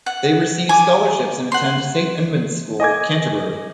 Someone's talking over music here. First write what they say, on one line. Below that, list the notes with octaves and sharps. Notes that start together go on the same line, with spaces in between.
They receive scholarships and attend Saint Edmund's School, Canterbury.
F#5
G#5 D6
F#5 C6
D#5 G#5 D6 G#6